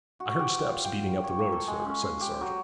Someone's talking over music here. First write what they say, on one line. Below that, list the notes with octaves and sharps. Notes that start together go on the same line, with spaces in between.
'I heard steps beating up the road, sir,' said the sergeant.
F#4
G4
F4
G5
C#5
A#3
A4
G#3
C#4
C6
G4
F#3